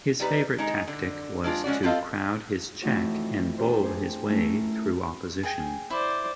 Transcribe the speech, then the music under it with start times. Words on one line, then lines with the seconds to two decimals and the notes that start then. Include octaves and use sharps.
His favourite tactic was to crowd his check and bull his way through opposition.
0.20 G3 D#4 B4
0.58 G#3 D#4
0.87 D3
1.44 G#3 D4 F4
1.64 G#3 C#4 F#4 D5
1.83 B3 C4 F4 A4 D#5 F5
2.82 F2 E3 A3 D#4 F#4 C#5
3.58 D4 G4 B4 C5
3.83 D4 G4 G#4 C5
4.29 A3 C#4 E4 A#4
5.43 G#4 G5 G#5
5.90 E4 C5 D5